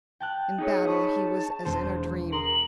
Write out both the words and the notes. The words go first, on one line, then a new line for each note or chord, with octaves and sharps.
In battle he was as in a dream.
G5 A5 F#6
D#4 G#4 C#5
A5 B5 C#6 D#6
E1 G#3 A4 C5
A#4 C6 D#6 F#7